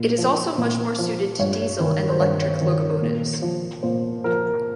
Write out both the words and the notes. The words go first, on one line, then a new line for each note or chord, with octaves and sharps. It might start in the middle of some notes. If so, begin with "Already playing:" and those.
It is also much more suited to diesel and electric locomotives.
Already playing: A#2
F3
A#2
F3
G2 C#5
D#3
C5
G2 C#5
D#3
A#2
F3
A#2 C5
F3 A#4